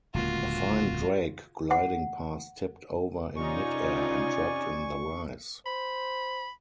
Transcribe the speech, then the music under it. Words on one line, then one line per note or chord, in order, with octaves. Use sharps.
A fine drake gliding past tipped over in midair and dropped in the rice.
D1 C#2 A#3 F4 F#4
F#5
C3 C#4 D#4 F4 D5 G#5 C#6
C5 B5